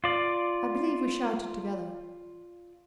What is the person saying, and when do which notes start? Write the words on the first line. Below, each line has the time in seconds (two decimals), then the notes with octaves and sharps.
I believe we shouted together.
0.04 F4 D5